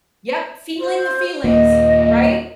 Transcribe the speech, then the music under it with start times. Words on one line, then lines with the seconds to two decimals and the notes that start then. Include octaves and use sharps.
Yep, feeling the feelings, right?
0.81 C5
1.44 D#2 A#2 D#5